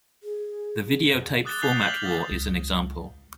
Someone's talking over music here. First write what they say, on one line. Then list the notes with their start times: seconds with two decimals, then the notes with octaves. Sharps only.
The videotape format war is an example.
0.23 G#4
1.45 D6 D#6 F#6 A6 G7
1.62 D#6 G6 B6 C7 F7 G7
1.81 F6 G6 B6 F#7
2.04 D#6 A6 A#6
2.31 C#2